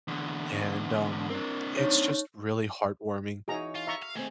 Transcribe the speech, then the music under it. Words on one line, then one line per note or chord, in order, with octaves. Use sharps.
And, um, it's just really heartwarming
E2 D3
C4 D4 A#4
D#4 C#5
E3 D#4 F#4 G#4 C#5 A#5
F4
E5 A#5 C#6
F5
D#3 A3 C4 G#4